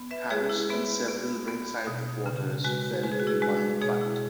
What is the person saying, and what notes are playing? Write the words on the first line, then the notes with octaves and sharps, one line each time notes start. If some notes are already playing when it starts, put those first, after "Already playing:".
Harris and several ringside reporters felt he won the fight.
Already playing: B3
B4 E5
G#3 G#4 C#5
E4
B3 B4 E5
B3
B3
B2
C#3
G#3 F#4 B4
G#3 B4
G#4
F#4
E4 G#4
G#3 F#4 B4
B2 G#4 C#5
E4